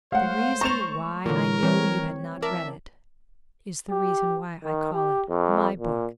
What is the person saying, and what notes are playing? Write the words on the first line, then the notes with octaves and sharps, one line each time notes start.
The reason why I knew you had not read it is the reason why I call it "my" book.
G#3 A3 C5 C#5 F5 F#5
A#5 C#6 A6 E7 F7
A#2 D3 E3 A#4 C#5
E3 G3 A3 C4 C#5
A#4 D5 E5 A5
G4
D#3
G4
F2
A#2